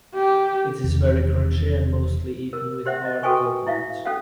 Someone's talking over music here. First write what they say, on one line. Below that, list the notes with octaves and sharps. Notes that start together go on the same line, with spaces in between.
It is very crunchy and mostly eaten with hard coconut.
G4
E1 E2 C3 D#3
A#4
G4 C5 E5 F#5
D#5
F#4 A4 B4 G5 G#5 C#6
E4 E5 F5
C#4 A4 F5 F#5